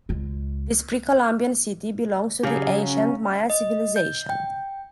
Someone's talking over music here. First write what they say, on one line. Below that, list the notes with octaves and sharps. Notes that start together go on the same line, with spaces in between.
This pre-Columbian city belongs to the ancient Maya civilization.
C#2 G#3
C#3 F#3 G4 G#4 F5
C#4
D#5
G6
G5